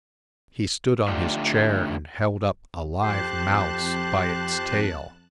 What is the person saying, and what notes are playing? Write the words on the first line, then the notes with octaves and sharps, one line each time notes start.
He stood on his chair and held up a live mouse by its tail.
D3 A3 D4 D#4 F4 G4
F2 G4 C5 A5 F#6